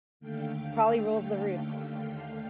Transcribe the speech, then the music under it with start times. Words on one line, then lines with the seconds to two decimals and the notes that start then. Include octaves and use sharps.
Probably rules the roost.
0.20 D#2 D3 A3 F5 G5